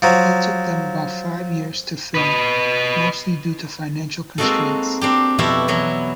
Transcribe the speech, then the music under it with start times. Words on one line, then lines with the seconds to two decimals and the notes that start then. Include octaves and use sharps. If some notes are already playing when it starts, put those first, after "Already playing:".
It took them about five years to film, mostly due to financial constraints.
0.02 F3 F#3
2.14 B4 D#5
4.38 G#3 A#3 C4 D#4 F#4 A4
5.01 C4 D4 G4
5.39 F2 B2 E4 F#4 G4 A5
5.68 E3 F#3 B3 E4